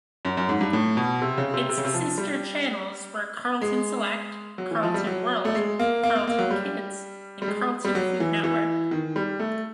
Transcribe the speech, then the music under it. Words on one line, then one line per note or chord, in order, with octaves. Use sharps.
Its sister channels were Carlton Select, Carlton World, Carlton Kids, and Carlton Food Network.
F#2
F#2
G#2
G2
A2
B2
C3
C#3
C3
C3
C#3
C3
F3
G3
G#3
F#3
E3
F3
G3
F#3
A3
G#3
A#3
A#3
A#3
A#3
F#3
G3
G3
G#3
G3
F#3
E3
E3
D#3
G3
A3